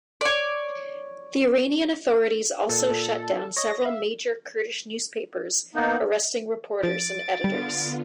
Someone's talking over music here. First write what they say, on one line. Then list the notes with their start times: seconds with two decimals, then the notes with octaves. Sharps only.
The Iranian authorities also shut down several major Kurdish newspapers arresting reporters and editors.
0.21 C#5 D5
2.69 A#2 A4
2.90 A#2
3.57 C#5 D#5 A#6
3.85 E5 F5
5.75 A#3 B3 D#4
6.83 F3 A6 D7
7.44 D3 G3 B3 F4